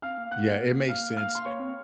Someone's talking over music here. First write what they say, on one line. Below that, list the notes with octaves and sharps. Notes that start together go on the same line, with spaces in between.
Yeah, it makes sense.
C4 F5 F6
A#3
A#3 F#5 F#6
A#3 F5 F6
F5 F6
C6
A#3 C#5 C#6
C4